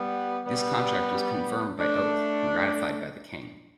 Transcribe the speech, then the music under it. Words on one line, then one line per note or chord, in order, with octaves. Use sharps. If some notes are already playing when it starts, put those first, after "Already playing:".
This contract was confirmed by oath, and ratified by the King.
Already playing: G3 B3
G3 B3
A3 D4